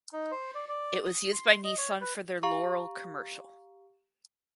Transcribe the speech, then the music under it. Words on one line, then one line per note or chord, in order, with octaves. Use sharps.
It was used by Nissan for their Laurel commercial.
D#4
C5
D5
D5
D#6
C6
C6
D#5
C#5
B4
G4 F5 A#5 C#6